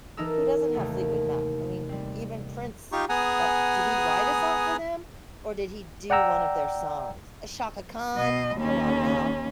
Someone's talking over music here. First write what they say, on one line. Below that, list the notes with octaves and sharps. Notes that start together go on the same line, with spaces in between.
who doesn't have Fleetwood Mac? I mean, even Prince, uh, did he write a song for them, or did he do one of their songs? Uh, Chaka Khan come on now.
E3 D#4 A4 A#4 E6
D#2 C3 A3
G3 C4
D#4 F4 G4 C#6
B3 G#4 F#5 G#5 A#5 D#6
D5 F#5 G5 A#5 E6
B2 D#5
D#2 C#4